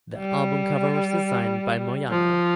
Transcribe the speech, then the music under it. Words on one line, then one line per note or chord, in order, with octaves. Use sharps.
The album cover was designed by Moyano.
G3
F3